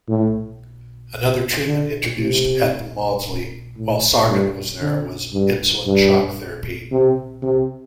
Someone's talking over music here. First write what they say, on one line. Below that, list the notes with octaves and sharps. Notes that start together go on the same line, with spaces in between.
Another treatment introduced at the Maudsley while Sargant was there was insulin shock therapy.
A2
D3
C3
A2
G2
D3
G2
G2
C3
C3